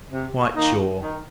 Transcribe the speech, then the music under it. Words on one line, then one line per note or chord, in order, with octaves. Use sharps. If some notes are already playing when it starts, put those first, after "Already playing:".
"Quite sure."
C3
D#3 A#3 D#4
D#3